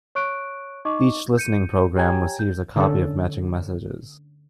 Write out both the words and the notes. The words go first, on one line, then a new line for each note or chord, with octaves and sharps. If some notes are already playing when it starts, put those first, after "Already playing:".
Each listening program receives a copy of matching messages.
C#5 C#6 F#6 D7
D#4 D#5 C#6 D6
G6 C#7 D#7
G4 C#5 G5 G#5 A#5 G#6
G6
D3 C#4 A4